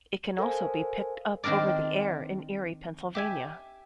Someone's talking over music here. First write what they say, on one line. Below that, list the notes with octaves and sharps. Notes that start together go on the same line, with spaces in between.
It can also be picked up over-the-air in Erie, Pennsylvania.
A4 A#4 C5 F5 G#5
D#3 C4 D4 A#4 D5
G4 E5 G#5